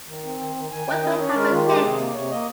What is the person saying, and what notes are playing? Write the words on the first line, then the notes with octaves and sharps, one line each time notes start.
What would happen if...?
D#3
C4
D#3
D#3
D#3 G#5
D#3 G5
C#4 D#5
C#4 C#5
G#3 A#4
D#3 F4
G#3 G4
C3 G#4
A#3
C3 C#5
A#3 D#5